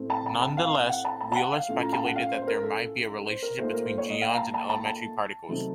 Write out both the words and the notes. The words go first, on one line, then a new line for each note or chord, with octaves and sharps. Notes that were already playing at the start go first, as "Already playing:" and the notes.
Nonetheless, Wheeler speculated that there might be a relationship between geons and elementary particles.
Already playing: A2 A3 C4
A5
A5
A5
F5
F5
F#5
A5
A5
A5
F#5
F5
A2 A3 C#4 F4
A#5
A5
F#5
F5
C5
C5
A#4
A4
C5
A#4
A#2 A3 D#4 C5
A#4
C5
C#5
D#5
F5
A#5
A5
A5
A5
A5
C3 F#3 A3 C4 D#4